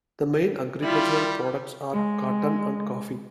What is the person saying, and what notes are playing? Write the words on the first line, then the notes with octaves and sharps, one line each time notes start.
The main agricultural products are cotton and coffee.
G3 E4 F4
G#3